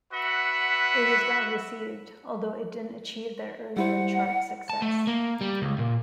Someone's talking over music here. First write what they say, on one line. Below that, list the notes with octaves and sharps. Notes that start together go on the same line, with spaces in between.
It was well received, although it didn't achieve their earlier chart success.
F#4 B4 E5 F#5
G3 E4 C5 F#5
A5
A3
A#3
G3
C#2
A#2